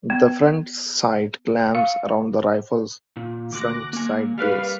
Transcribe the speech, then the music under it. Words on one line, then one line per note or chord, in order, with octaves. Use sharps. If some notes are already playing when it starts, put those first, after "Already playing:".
The front sight clamps around the rifle's front sight base.
B3
F5
A#2
D2 D6 F#6 A#6
A#3 G#5
G3 A#4 B4 F5 F6